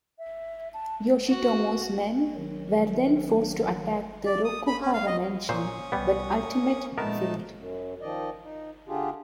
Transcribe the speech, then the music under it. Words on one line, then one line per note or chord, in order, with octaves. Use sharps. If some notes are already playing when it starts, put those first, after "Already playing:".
Yoshitomo's men were then forced to attack the Rokuhara mansion, but ultimate failed.
E5
A5
F#4
D#3 F#3
D5
D#6
B5
C#4
F5
D#5
A#2 C#4 C5 C#6 D#6
C2 G3 B3
A#3
A#2 F3 G#3 A3 B3 D#4 A#4 A5
F#2
D#3 F3 D5 D#5
D#4
D3 D4 F4 G4 G#4